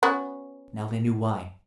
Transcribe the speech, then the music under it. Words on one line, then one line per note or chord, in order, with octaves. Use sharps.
Now they knew why.
B3 C#4 F#4